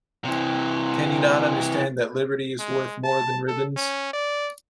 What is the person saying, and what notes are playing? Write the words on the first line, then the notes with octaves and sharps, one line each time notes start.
Can you not understand that liberty is worth more than ribbons?
C3 E3
G#3
A5
A4
C#4
D5